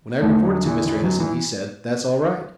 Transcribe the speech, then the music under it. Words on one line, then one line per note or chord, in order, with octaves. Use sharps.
When I reported to Mr. Edison he said: 'That's all right.
E2 D3 A3
F#3
E3
E3
F#3
E3